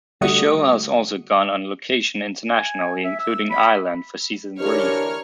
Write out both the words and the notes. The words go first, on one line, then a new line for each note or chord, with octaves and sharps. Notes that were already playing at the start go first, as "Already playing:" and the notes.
The show has also gone on location internationally including Ireland for Season Thre.
D3 G3 A3 F#4 D#6 C#7
G#5
E5
E6
B5
D2 E3 D4 G4 A#4 C#5 F6